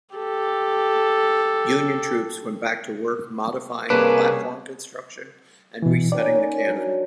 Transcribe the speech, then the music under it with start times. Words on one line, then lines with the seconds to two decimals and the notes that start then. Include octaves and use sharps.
Union troops went back to work modifying platform construction and resetting the cannon.
0.16 G4 A4
3.90 C3 G3 A#3 C#4 D4 G#4 B4
5.82 B2 E3
6.12 D#3 C#4 D5
6.35 C#4
6.66 F#3 D4